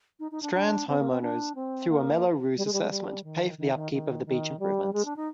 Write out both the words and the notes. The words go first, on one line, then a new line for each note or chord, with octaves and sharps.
Strands Homeowners, through a Mello-Roos assessment, pay for the upkeep of the beach improvements.
D#4
D#4
D4
D4
C4
A#3
C4
D4
C4
A#3
G3
G#3
G3
G#3
G3
D#3
D#3
D#3
D#3
D#3
G3
G#3
D4
D#4